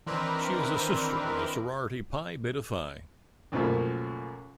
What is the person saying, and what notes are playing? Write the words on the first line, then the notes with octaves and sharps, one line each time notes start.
She is a sister in the sorority Pi Beta Phi.
D#3 E3 C4 D4 A#4 B4
C#2 F#2 B2 F3 A3 A#3